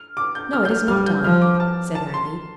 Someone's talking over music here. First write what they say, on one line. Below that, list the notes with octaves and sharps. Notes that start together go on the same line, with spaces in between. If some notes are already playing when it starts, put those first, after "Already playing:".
"No, it is not done," said Maggie.
Already playing: F6
D6
G6
F6
G6
F6
G3 F6
G6
F3 F6
D6
A5
A5
C6